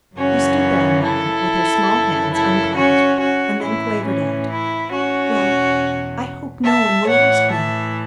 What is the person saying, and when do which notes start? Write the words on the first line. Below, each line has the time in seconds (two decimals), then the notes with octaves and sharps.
She stood there a moment with her small hands unclasped and then quavered out: "Well, I hope no one will ask me!"
0.17 F#2 C#3 E3 C#4 F#4
1.03 E4 A4
1.90 F#2 C#3 E3
2.33 E4 A4
2.76 C#4 F#4
3.19 C#4 F#4
3.62 A2 E3 E4
4.06 C#4
4.49 E4
4.92 C#4 F#4
5.35 E2 B2
6.65 E5 A5
7.07 A2 E3 C#5 F#5
7.51 E5 A5